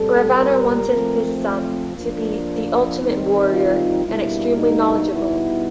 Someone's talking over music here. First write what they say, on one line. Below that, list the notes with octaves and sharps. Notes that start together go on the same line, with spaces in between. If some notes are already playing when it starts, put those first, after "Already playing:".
Ravana wanted his son to be the ultimate warrior and extremely knowledgeable.
Already playing: A#2 G3 C4 A4
A#4
F3 A3 C4
F3 A#3 D4
D#3 G3 C4 D#4
F4
B2 G3 A#3 D4 E4
D#4
B2 G3 B3 D#4 E4